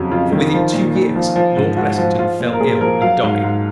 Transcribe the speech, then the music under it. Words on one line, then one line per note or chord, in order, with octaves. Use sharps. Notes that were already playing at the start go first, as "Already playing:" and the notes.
For within two years Lord Blessington fell ill and died.
Already playing: F2 C#3 F#3
F2 F4
D#3
F3
A#2
A#2
F3
F3
G#2
G#2 F#4
F3
F3 F4
A#2
A#4
A#2 G#4
F3 A#4
F#3 F5
G#2
G#2